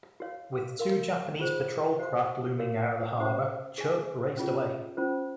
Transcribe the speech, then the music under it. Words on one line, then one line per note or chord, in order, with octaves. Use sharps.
With two Japanese patrol craft looming out of the harbor, "Chub" raced away.
F#4 C#5 F5
A#4 F5 C6
F4 G#4 C5
F#4 C5 F5
F#4 A#4 C#5 F5
C#4 F#4 C5 F#5
G#4 C#5 G#5
C#4 F4 G#4 C#5
C#4 F4 C5